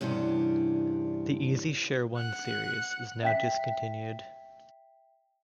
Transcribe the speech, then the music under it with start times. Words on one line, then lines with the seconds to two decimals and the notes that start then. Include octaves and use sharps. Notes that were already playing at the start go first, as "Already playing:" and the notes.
The EasyShare-One series is now discontinued.
0.01 E2 G2 C3 C#4 D4
2.17 F#5 F#6
3.23 E5 G5 B6